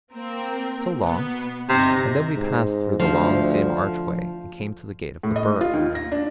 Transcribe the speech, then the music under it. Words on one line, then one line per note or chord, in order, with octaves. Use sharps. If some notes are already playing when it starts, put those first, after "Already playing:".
So long!' And then we passed through the long, dim archway and came to the gate of the Burg.
A#3 C4 A#4
B2 B3
G1 C3 D#4 A#6
G#2
D2 F3
A2
D#5
F4
D#2
A#6
D4